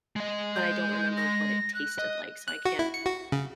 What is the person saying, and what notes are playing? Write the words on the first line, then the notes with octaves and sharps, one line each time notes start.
but I don't remember what it tasted like, so I can't
G#3 D#5
G6
A#6
F#6
D#5
F#6
F#4
E4
C#7
F#4
C#3